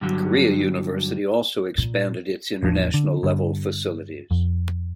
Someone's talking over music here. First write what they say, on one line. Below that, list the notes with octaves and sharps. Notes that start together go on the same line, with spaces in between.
Korea University also expanded its international-level facilities.
G2 D3 F#3
A#2
A1 E2 F3 D4
D3
G2 D3
F2